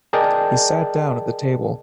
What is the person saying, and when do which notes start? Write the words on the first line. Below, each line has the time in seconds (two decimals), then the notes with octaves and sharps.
He sat down at the table.
0.13 G#4 A#4 D5 D#5 G5 A5